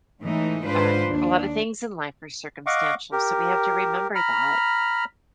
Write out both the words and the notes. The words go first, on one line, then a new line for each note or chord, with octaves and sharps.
Um, a lot of things in life are circumstantial, so we have to remember that.
A2 E3 G#3 A3 D#4
G#2 D4 F4 B4 C5
D#2 D4
D#5 F5 F#5 C#6 D6
G4 A#4
A#5 B5 F6